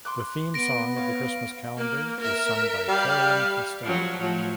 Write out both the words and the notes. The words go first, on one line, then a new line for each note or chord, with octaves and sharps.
The theme song of the Christmas calendar is sung by Caroline Castell.
C6 D6 F#6
B3 A#6 D7
C#5 F5
A#3
A#4 E5
G3 F5
F3 F#3
A2 F3 F#3